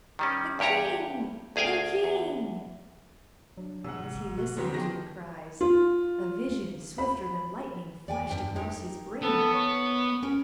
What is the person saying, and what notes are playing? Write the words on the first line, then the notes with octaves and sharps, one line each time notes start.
'The king! the king!' but as he listened to the cries, a vision, swifter than lightning, flashed across his brain.
D#3 G3 C#4
E2 G2 G4 C#5 A#5
D2 G#4 F5 G5 G#5
E2
F#3 D4
G#2 C3 F#5 E6
G1
B2 F#4
E2 D3 F#3 B3 C4 F#4 G4 B6
D#3 F3 G4 G#4 G5 A#6
F4
B5
D5 G5 G#5
G2 G5
D#4 G4 A#4
B3 A4
C#5
C#4 A#4 G#5